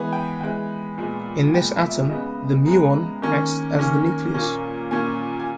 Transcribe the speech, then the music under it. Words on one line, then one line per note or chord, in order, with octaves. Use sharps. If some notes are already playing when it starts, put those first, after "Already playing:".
In this atom, the muon acts as the nucleus.
Already playing: E3 G#3 B3 G#5
G5
E3 G#3 B3 G5
A#2 G#3 B3
A#2 G#3 B3 G5
E5
C#3 G#3 B3 D#5
C#3 G#3 B3 A#5
D#3 A#3 C#4
D#3 A#3 C#4
A#2 A#3 C#4
A#2 A#3 C#4 G#5
G#5